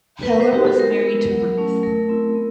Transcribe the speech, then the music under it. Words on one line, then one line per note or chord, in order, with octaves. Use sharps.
Heller was married to Ruth.
B4
B3 A#4
C5
D#4 F#4 G4
A4
G#3 A#4
B3 E4
F#3
A3 C#4 E4
A3 A#4
C4 E4
B3